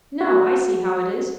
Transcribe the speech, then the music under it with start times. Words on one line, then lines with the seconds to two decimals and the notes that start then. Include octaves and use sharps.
No; I see how it is.
0.21 F#4